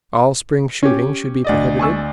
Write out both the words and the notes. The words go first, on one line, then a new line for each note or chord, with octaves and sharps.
All spring shooting should be prohibited.
C#4 G4
D2 D5 D#5
G#5 C#6 E6